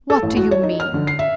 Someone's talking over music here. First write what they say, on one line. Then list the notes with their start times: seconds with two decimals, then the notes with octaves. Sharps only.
"What do you mean?"
0.10 A4
0.23 A1
0.37 F#4
0.51 C#5
0.63 D#4
0.80 F6
0.94 D3
1.07 C7
1.19 E5